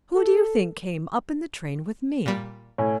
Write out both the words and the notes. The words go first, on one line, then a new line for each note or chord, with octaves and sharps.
Who do you think came up in the train with me?'
A4
A#2 G3
A2 C#5 G#5